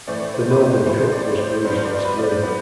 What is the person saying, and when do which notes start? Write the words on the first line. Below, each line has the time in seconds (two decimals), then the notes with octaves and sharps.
The Melbourne Cup was Brew's last win.
0.07 A2 E3 A3 C4 D5
0.34 C5
0.50 B4
0.60 C5
0.86 A2 E3 A3 C4 C5
1.12 D5
1.38 C5
1.64 G2 F#3 B3 C5
1.85 D5
2.04 B4
2.18 D5
2.23 C5
2.43 F#3 B3 C5